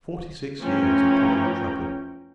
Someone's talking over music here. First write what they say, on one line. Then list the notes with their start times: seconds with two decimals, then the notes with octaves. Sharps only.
Forty-six years of toil and trouble!
0.60 E3 F3 A3 C#4 G5 A#5